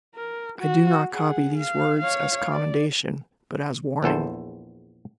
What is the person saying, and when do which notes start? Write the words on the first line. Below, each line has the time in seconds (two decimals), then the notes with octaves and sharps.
I do not copy these words as commendation, but as warning.
0.15 A#4
0.59 F#4
1.12 G#4 F#5
1.58 F5
2.00 C#5 F5
2.52 D5
4.03 A#1 E2 A4 C5